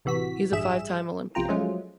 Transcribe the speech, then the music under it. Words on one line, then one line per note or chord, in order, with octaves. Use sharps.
He is a five-time Olympian.
A1 C3 E3 F#4 B6
A1 G2 G3 G#4 E5 E7
A#1 C3 F4 G5 A#5
F3 F#3 G#3 A3 C#4 F4